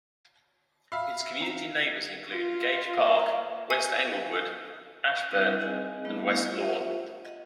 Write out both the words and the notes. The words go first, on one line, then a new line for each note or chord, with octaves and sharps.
Its community neighbors include Gage Park, West Englewood, Ashburn, and West Lawn.
E5 F5 B5 E6
C4 D#4
F4
A#3
G#5
G3 C4 D4 E4 B4 D#6
C4 D#4 G#4 D#5 G#5
G3 A3 B3 D4 E4
F4 G4 A#4 C5 E5
D#5 F#5